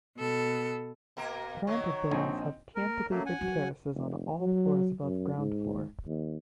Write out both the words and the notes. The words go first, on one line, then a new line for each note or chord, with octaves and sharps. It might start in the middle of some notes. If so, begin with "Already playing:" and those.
Rounded buildings have Cantilevered terraces on all floors above ground floor.
B2 A4
B2 A#3 A#4
D#3 F#3 C#5
A#1 C4 D#4 G#5
A#3 A#4
F#3 A3 A#3 C#4
F#5 G#5
F#3 F#4
F1
F#3
F#2
G#2
D#2